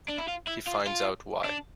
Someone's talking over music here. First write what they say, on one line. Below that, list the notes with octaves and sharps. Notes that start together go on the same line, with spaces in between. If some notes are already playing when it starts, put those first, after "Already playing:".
He finds out why.
D4
E4
F4
E4
F4
F4
D4